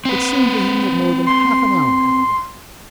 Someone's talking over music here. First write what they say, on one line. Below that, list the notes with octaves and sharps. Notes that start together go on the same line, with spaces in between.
It seemed to him that more than half an hour had elapsed.
C4 B4
C6